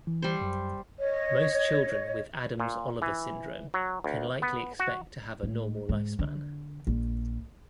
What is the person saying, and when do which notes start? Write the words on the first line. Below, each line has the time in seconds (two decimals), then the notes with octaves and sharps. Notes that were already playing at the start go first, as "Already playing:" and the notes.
Most children with Adams-Oliver syndrome can likely expect to have a normal life span.
0.07 E3
0.22 G3 C5
0.41 F#2
0.99 C#5 D#5
2.60 A#2
3.02 E3
3.74 F#3
4.04 D2
4.42 B3
4.79 F#4
5.43 A2
5.89 G#2
6.19 D3
6.87 A#1